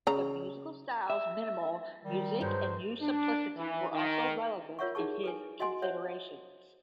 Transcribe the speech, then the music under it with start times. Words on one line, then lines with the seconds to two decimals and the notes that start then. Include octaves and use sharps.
The musical styles Minimal music and New Simplicity were also relevant in his considerations.
0.07 C#3 A#5
1.10 E5
2.03 D#3 G3
2.41 G2 F#3 G#3 C5
3.02 D4
3.56 E3
3.93 D#3
4.79 F4 A#4 C#5 E5 F#5 C#6
4.95 D#4 E4 G4 G#4 A5 C#6
5.23 A4 B4 G#5
5.60 F#4 D#5 F#5 G#5 C6
5.82 C5 C#5 E5 F#5